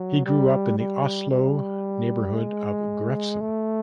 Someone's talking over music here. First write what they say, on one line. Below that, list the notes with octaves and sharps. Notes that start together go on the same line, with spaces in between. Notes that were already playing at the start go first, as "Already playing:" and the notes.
He grew up in the Oslo neighborhood of Grefsen.
Already playing: F#3
G3
G3
G3
G#3
A3